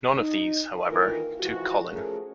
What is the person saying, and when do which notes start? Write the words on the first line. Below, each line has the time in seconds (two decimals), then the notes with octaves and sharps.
None of these, however, took Colin.
0.17 D#4
0.87 D#3 E3 A#3 F4 A4 A#4
1.40 G#2 E3 F3 F#4
1.90 F3 A3 C#4 G#4 A#4